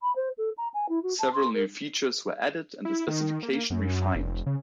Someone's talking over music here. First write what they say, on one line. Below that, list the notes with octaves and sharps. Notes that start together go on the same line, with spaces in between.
Several new features were added and the specification refined.
B5
C5
A4
A#5
G#5
E4
F#4
A5
C6
A#4
E4
D#3
A#3
F#2
F1
C#3